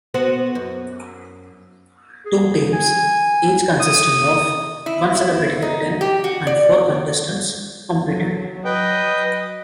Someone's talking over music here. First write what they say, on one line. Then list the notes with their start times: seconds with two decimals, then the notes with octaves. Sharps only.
Two teams, each consisting of one celebrity captain and four contestants, competed.
0.14 B3 F#4 C5
0.55 F#2
2.26 G#4
2.73 G#5
3.80 D#6
4.86 E4
5.15 E4
5.62 D#4
6.01 G4
6.24 F#4
6.47 D5
8.06 F#3
8.65 B4 D#5 G5